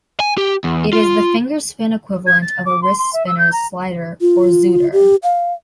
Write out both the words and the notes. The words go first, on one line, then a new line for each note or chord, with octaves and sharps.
It is the finger spin equivalent of a wrist spinner's "slider" or "zooter".
G#5
G4
E2
F4
G#6
A6
D6
C6
C6
E5
E6
G6
A#5
F4
G4
F5